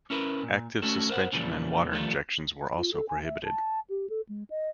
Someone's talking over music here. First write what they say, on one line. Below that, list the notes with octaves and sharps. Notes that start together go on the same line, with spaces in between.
Active suspension and water injections were also prohibited.
C#4 E4 A#4 B4
A#2
A3 C#4 F#4 A4
A#4 C5 F5 F#5
A#2 C#3 E3 F3 G3 A#3
D#3 F3 G3 A3 F4
F4
A4
G#5
E5
A5
G4
A4
G#3
D#5